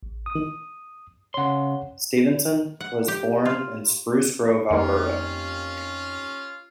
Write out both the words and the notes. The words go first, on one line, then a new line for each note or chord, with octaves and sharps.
Stevenson was born in Spruce Grove, Alberta.
A1
D#6
C#3 C#5 F#5 C6
F#5
G4
F4
F2 D#3 A#3 C#4 F4 G4 F5